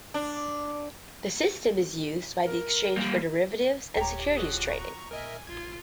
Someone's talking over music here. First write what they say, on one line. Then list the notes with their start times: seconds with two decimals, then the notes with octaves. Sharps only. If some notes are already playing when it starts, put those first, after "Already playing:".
The system is used by the exchange for derivatives and securities trading.
0.14 D4
2.47 A#4
2.97 G3 A#3
3.97 D1 G4 C#5 G5 A#5
4.37 F3 F#4 G#4 C#5
4.70 A#5 C#6
5.11 A#1 A#4 D#5 E5 G#5
5.47 A1 D#4 F4 G#6